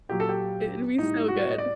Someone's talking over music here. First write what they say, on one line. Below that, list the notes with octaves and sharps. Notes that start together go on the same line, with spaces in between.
It'd be so good.
A#2 F#3 G4
A4
G4
A2 G3 D#4
F#4
D#5
D5